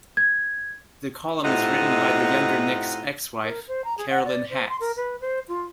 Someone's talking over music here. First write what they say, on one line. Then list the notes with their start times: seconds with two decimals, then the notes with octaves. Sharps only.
The column is written by the younger Nick's ex-wife, Carolyn Hax.
0.17 G#6
1.44 A2 C3 D#4 F4 D#5 F#5
3.45 A#4
3.68 C5
3.84 A#5
3.98 G#4
4.10 F#5
4.25 D5
4.50 C5
4.69 C6
4.80 A#4
4.96 B4
5.21 C5
5.48 F4